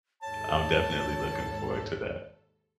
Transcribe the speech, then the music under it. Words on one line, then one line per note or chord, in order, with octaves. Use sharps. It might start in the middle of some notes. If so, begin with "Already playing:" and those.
I'm definitely looking forward to that.
D#2 G#2 A4 C#5 A5